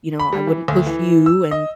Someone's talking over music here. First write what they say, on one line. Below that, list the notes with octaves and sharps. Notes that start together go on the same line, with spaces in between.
you know, "I wouldn't push you and
B5
G3
E3
D2
E3
E6
D#5